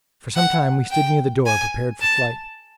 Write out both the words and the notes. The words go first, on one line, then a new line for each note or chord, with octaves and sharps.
For some time we stood near the door, prepared for flight.
F#5
G5
G#5
A5